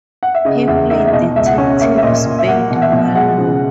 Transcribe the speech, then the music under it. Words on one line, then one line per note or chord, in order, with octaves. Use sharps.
He played detective Spade Marlow.
F#5
E5
C#3 D#5
E2 E5
D#4 E5
E5
B2 D#5
C#2 E5
F#5
C#4
A#3 E5
E5
A#2 D#5
A#2
E5
A#3 F#5
B2
F#5
E5
B2
G#3 F#5
C#3